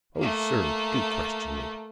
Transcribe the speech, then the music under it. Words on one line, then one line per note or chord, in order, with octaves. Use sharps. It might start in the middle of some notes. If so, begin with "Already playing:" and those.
"Oh, sir, do question me!"
A3 A#3